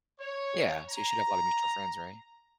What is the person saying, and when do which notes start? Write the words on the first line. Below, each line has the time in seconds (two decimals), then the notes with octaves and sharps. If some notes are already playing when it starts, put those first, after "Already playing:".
Yeah. So you should have a lot of mutual friends, right?
0.20 C#5
0.89 A#5